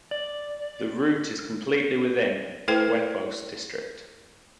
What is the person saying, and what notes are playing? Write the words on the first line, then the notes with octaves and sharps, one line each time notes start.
The route is completely within Quepos district.
D5
A3 E4 A4 B4 C5 G5